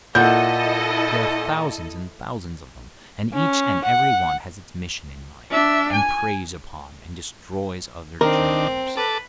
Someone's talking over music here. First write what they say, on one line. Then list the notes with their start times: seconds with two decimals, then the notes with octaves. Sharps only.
There are thousands and thousands of them, and each and every one has its mission in life, and preys upon and destroys other germs.
0.15 A#2 E4 A4 D#5 F#5 G6
3.33 C#4
3.84 F#5
5.51 D4 E5
5.93 G#5
8.21 D#3 C4 D4 A#4
8.97 A4 B4 A5 D6